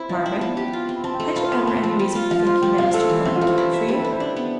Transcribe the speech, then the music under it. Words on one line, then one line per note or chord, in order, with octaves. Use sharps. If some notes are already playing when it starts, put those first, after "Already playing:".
'Margaret! had you ever any reason for thinking that Mr. Thornton cared for you?'
Already playing: C4 E4
F3
F5
E4 G5
A5
B3 B5
G4
F4
C4
B5
C4 A5
G5
A3
A5
F4 B5
B3
B5
C4 A5
F3
G3
F4
F3 F5
F4
F3 G5
C3 F5
A3 A4
E3
C4 E4
F4
A3
C5
E4
E5
G3 A4
E4 B4
C5
D4 D5
B3